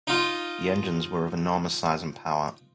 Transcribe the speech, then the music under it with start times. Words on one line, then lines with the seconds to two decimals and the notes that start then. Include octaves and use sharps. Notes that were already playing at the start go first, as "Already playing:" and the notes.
The engines were of enormous size and power.
0.07 D#4 F4